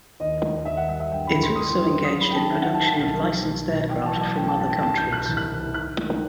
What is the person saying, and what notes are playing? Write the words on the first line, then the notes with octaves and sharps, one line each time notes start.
It also engaged in production of licensed aircraft from other countries.
D#2 D#5
D#2
D#2 E5
F#5
G3 E5
E5
G2 G5
B5
G1
C6
E3 D#6
C6
G3
F#3 D#6
B5
D#3 G5
A5
D#3 E5
F#5
D#3 A5
A5
B1 A5
G3
B1
B2
A1 G5
A5
F#3
A5
A3 G5
A5
G2 A5
G5
C2 A5
G6
B2
F#6
C2 G6
F#6
C2
D#3 F#6
D#3